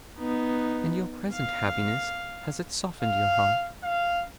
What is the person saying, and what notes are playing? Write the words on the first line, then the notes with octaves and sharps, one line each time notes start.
"And your present happiness, has it softened your heart?"
B3 D#4
F5
F5
F5